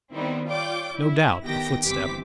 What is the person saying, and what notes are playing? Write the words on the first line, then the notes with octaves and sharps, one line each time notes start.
No doubt, a footstep.
D#3 G3 B3 C4 D#4 E4
F4 C#5 D5 G5 D6
E4
D#3 B3 G4 G5 A#6
G1 E3 C4 G4 D6 B6